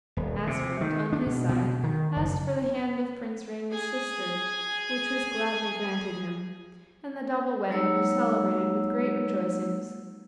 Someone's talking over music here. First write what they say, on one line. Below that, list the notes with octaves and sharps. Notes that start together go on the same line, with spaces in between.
Asmund, on his side, asked for the hand of Prince Ring's sister, which was gladly granted him, and the double wedding was celebrated with great rejoicings.
D#1
C3
D#3
D4
B2
B2
D#3
F#1
G#4 G#5
F#3 G#3 A#3 D#4 C#5 E6